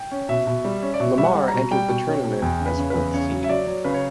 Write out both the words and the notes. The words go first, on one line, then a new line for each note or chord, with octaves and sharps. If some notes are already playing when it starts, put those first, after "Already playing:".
Lamar entered the tournament as fourth seed.
Already playing: G5
C#4
B2 E5
B2
G3
C#4
D5
B2 E5
G3 E5
F#5
G3
A#5
B2
G3 G5
B2
C#4
B2
E2 G5
C#3
B4
C#3
B4
E2
C#3 C#5
F#3
E5
F#3 D5
F#3
C#3 B4
C#5